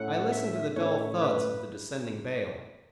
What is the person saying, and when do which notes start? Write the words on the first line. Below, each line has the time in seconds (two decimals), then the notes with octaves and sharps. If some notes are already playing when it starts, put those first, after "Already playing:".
I listened to the dull thuds of the descending bale.
Already playing: A2 A3 C#4 F#5
0.32 E5
0.76 A2 A3 C#4 C#5
1.21 B4